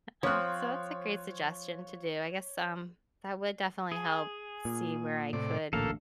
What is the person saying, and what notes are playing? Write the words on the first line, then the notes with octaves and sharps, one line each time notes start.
Uh, so that's a great suggestion to do, I guess, um, that would definitely help see where I could
F3 C4 C#5 F#6
G#4
A#2
A2 C3 D5
A1 D2 A#2 A3 A#3 A4 F5